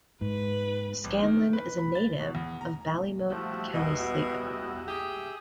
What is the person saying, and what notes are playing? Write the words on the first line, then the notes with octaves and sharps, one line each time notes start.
Scanlon is a native of Ballymote, County Sligo.
G#2 B4
A#1
D#3
B4
B5
A6
B2
E2
A#5
F3 G3 A3 E4 F#4
E2 B2 D#5
G4 G#4 E5 D#6